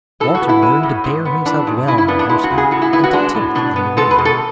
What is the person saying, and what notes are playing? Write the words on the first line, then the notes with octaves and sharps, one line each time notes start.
Walter learned to bear himself well on horseback and to tilt in the ring.
A2 A4
F#4
B3
E4
G#3
A2
G#2
B3
E3 D4
G#2
C#3 E4
E4
B3 D4
D4
G#3 E4
F#4
C#3
G#4
A2 F#4
E4
B3 E4
F#4
G#3 D4
A2
B2 D4
B3
G#3 A4
B4
B2
A4